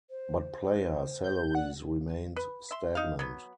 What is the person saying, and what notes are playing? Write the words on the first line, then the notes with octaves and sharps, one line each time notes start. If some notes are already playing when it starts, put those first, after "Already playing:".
But player salaries remained stagnant.
C5
C5
G6
D5 F#5
B4
E5 C6
D#4 F5
F#3 B3